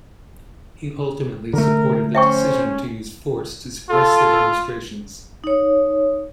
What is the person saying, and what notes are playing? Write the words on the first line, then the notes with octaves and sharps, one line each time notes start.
He ultimately supported the decision to use force to suppress the demonstrations.
D3 A3 A#4
C#4 C5 E5 G5 C#6
F4 A4
D#4 C#5